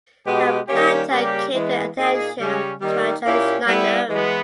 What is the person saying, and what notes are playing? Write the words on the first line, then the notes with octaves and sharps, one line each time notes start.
How Planta came to the attention of Trajan is not known.
B2 G#3 B3 G4
D#3 G3 A#3 C#4 G4
C#3 G3 A#3 C#4 G4
E3 G#3 B3
A#2 A#3 D#4 G#4
C#3 G3 C#4
D#3 G3 A#3
A#2 A#3 C#4 E4 G4
G3 B3 E4
E3 G#3 B3